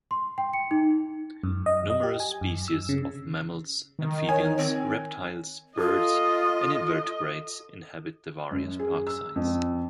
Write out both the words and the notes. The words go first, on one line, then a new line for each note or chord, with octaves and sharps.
Numerous species of mammals, amphibians, reptiles, birds and invertebrates inhabit the various park sites.
C6
G5
C#7
D#4
F#2
D#5
D#5
G4
G#5
F#2
E6
C#3
D#3
C#5 G#5
C4
F4 A4 D#5
F#2
G#4
E6
F2